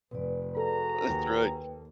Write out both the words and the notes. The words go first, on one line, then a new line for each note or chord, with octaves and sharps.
That's right.
F1 B4 D5
F#4 G#4 A4 A#5
D#2 B4 G5